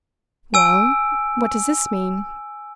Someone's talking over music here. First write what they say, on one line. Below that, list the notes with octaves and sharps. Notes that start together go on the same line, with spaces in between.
'Well? what does this mean?'
G#5 E6 D7